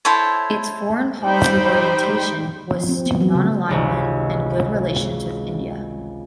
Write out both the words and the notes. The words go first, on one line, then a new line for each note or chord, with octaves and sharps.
Its foreign policy orientation was to nonalignment and good relations with India.
E4 A4 C5 C#5
G3 D#4 C5 G5 B5
F3
C4
B3
F#3
C#3
G#1 C#2 C3